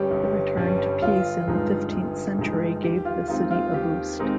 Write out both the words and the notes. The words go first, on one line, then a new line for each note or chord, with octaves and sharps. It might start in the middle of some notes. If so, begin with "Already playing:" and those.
The return to peace in the fifteenth century gave the city a boost.
Already playing: G1 G2 G3 C#4 G4
G1
G2 G3 C#4
G1 F4
G2 F3 G#3 D#4
G1
G2 F3 G#3 D#4
D#2 G4
F4
D#3 G#3 C4 D#4 F4
F4
D#2 G4
D#3 G#3 C4 D#4